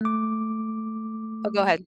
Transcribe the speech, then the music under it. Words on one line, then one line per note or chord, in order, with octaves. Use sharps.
Oh, go ahead.
A3 D6